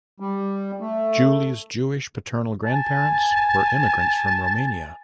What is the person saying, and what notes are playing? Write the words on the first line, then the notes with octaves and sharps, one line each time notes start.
Julie's Jewish paternal grandparents were immigrants from Romania.
G3
A3
G#5 A5